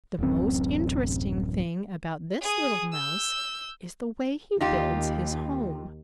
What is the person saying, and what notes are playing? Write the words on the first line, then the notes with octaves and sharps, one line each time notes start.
The most interesting thing about this little Mouse is the way he builds his home.
D1 A1 F#2 C4
G#4 D#6
E6 G6
D#2 D#4 F4 G4